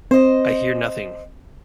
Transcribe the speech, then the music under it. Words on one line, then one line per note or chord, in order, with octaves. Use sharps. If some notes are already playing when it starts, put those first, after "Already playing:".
I hear nothing!
C4 C5 D#5